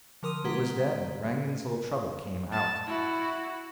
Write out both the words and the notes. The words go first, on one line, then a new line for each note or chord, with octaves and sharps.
It was then that Rangon's little trouble came out....
D3 F3 A#4 C6 D#6 D#7
G#3 G4 B4 F#5 A#5 B6
A5
E4 F#4